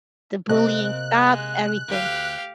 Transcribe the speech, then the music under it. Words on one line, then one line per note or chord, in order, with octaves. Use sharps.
The bullying stopped, everything.
C3 A#3 C4 D#5 F#6
G#3
D2 G4 F5